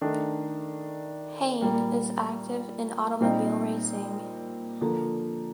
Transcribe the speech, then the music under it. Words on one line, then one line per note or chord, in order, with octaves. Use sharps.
Hane is active in automobile racing.
D#3 A3 D4
A#2 G3 A#3
A#2 G3 C4 D#4
D3 F3 A#3